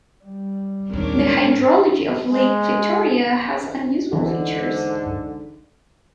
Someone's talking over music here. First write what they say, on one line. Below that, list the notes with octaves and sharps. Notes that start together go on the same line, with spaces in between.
The hydrology of Lake Victoria has unusual features.
G3
A#1 D#2 G#2 C4 D4 A#4 C#5 D6
G#3
G#2 D3 E3